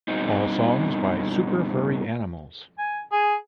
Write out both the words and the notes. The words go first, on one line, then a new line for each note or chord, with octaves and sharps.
All songs by Super Furry Animals.
G2 B2 C4 D#4
G#5
G#4 G#5